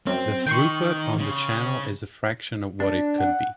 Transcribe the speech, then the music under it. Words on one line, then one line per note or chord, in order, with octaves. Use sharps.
The throughput on the channel is a fraction of what it could be.
F#2 C4
D#3 G5 C6 C#6
C#3
D4
F#5